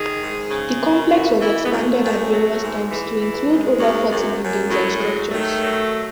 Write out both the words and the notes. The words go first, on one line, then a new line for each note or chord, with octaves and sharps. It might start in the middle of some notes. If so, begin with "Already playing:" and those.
The complex was expanded at various times to include over forty buildings and structures.
Already playing: D#3 G#4
G#2
C#3
F#2
E3 F#4
E3 E4
B3
F#2 A3
F#2
F#3
G#2
E3
E3
F#2 G#3
F#2
F#2
F#2
A2 F#3
F#3 G#3
D#3 A3
F#3